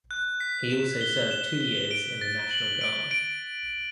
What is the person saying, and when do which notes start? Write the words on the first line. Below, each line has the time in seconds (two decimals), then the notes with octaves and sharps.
He also served two years in the National Guard.
0.11 F#6
0.40 B6
0.71 E7
1.01 G7
1.31 E7
1.61 G7
1.91 D7
2.21 A6
2.51 F#7
2.81 D7
3.11 D7